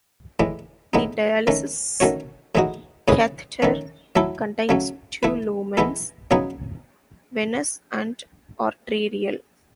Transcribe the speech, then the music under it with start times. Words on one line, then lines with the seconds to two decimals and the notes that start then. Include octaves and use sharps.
The dialysis catheter contains two lumens: venous and arterial.
0.40 A2 E3 G#3
0.93 A2 G#3 B3 D#4
1.47 D#3 A3 C#4
2.00 D#3 A3 C#4 F#4 C#5
2.55 A2 E3 G#3 D#4 F#4
3.08 A2 G#3 C#4 G#4 B4
3.62 D#3 A3 C#4
4.16 F#3 A3 E4 A4
4.69 C#3 F#3 A3 C#4
5.23 A3 E4 B4
5.77 E3 G#3 B3 E4 A4
6.31 C#3 F#3 B3 D#4 G#4